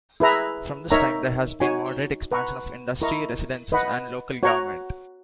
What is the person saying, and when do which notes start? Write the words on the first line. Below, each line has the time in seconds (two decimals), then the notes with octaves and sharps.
From this time there has been moderate expansion of industry, residences, and local government.
0.20 E4 G#4 B4 E5 A#5
0.91 D#4 A#4 C#5 E5 A#5
1.60 D#4 F#4 C#5 G#5
2.32 B4 F#5 A#5 C#6
3.02 E4 A#4 D#5 A#5 C#6
3.72 B4 D#5 F#5 B5
4.43 F#4 C#5 F#5 A#5